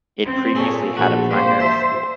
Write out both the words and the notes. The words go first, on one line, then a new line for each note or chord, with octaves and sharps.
It previously had a primary school.
C4
A#2 G#4 A4 C#5
A#1 A3 F#4
G3 A#3 C5
E5 A5